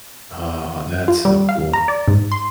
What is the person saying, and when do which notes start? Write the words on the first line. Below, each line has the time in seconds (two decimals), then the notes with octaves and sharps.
oh, that's so cool.
1.08 F4
1.25 G3
1.49 F5
1.73 A#5
1.88 D5
2.08 G#2
2.32 C6